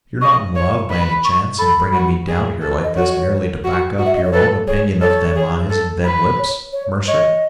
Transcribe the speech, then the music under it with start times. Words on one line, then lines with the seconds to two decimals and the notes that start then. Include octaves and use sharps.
"You're not in love, by any chance, and bringing me down here like this merely to back up your own opinion of them eyes and them lips, Mercer?"
0.21 D#5 C#6
0.56 C#5
0.90 B4 B5
1.25 C#6
1.58 A4 B5
1.93 F#4
2.27 G#4
2.61 A4
2.84 D#5
2.96 F#4 C#5
3.64 F#4
3.99 F#4
4.06 E5
4.15 D#5
4.24 C#5
4.33 A4 B4
4.67 G#4 C#5
5.02 A4 C#5
5.36 G#4
5.70 A4
6.04 B4
6.39 C#5
6.73 C#5
7.07 C#5 D#5